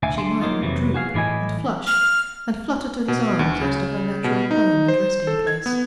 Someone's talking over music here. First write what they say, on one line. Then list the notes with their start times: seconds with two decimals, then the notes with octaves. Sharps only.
She might droop, and flush, and flutter to his arms, as to her natural home and resting-place.
0.03 D2 E5 F5 G#5
0.18 D3 C6
0.41 F#3 A#3 D#4 F4
0.61 F2 C3 E3 F#3
0.94 F#4 G#4 F5
1.14 A2 E3 E4 D#5 G#5
1.87 F6
3.08 B2
3.39 D2
3.61 C#3
4.24 B2
4.51 D#4
4.88 C5
5.27 A4
5.47 G#6
5.66 B3